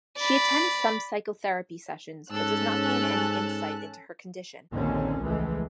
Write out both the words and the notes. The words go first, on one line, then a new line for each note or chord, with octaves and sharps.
She attends some psychotherapy sessions, but does not gain any insight into her condition.
D5 B5
G#2 C#4 A4 A5 E6 F#6
A#1 D#2 D3 D#3 C4 C#4
C#2 E3 F3 G#3 A3